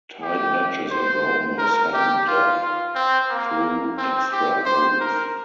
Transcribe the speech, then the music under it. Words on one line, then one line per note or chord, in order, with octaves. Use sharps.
Tied matches are broken by sudden death through extra holes.
G4
C5
A#4
G4
F4
F4
C4
A#3
C4
G4
C5
A#4